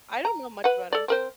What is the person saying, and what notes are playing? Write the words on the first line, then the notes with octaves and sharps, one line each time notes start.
I don't know much about her.
A#5
B4 F#5
A4 D5
C4 A#4 C5